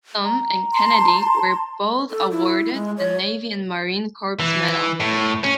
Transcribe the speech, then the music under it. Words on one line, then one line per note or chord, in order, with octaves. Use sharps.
Thom and Kennedy were both awarded the Navy and Marine Corps Medal.
A#5
A5 C6
A4
E4
G#3
C#5
E3
A2
C#4